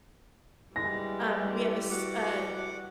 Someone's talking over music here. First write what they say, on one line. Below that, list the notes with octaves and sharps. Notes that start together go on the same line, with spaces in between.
Um, we have a s a
E3 G3 G#3 A#6
F#4 F#5 D6